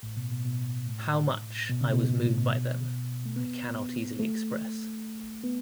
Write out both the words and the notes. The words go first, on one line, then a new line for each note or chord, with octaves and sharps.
How much I was moved by them, I cannot easily express.
A2
B2
B2
B2
A2
B2
C#3
B2
A2
A2
B2
A3
B3
B3
A3
B3